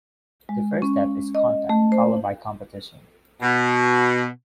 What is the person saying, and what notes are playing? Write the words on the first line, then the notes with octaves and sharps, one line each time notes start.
The first step is contact followed by competition.
G#3
C#4
D#5
A3
C5
B2